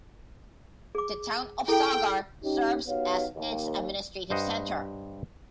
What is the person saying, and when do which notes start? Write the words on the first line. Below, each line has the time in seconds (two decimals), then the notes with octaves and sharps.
The town of Sagar serves as its administrative center.
0.95 G#4 D6
1.68 E4 G#4 A4 G5
2.43 C#4 D#4 G4
2.87 B3 D#4 F#4 G4 C#5 F5
3.35 D#2
4.30 G2 C5 D#5 F#5